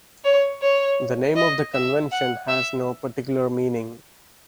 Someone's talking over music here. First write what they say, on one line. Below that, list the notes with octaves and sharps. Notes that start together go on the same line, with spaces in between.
The name of the convention has no particular meaning.
C#5
C#5
D#5
E5
F#5
E5